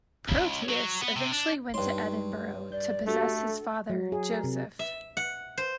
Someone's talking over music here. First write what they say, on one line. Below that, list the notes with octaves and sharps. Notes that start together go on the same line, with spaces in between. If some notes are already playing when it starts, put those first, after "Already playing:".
Proteus eventually went to Edinburgh, to possess his father, Joseph.
C#2
F#3
B3
C3
D4
G2 D#4 C#5 C6
D5 G6
A3 D4 F#4 G4 A4
F#3
G#4
A#4
C3
E5
F#5
C5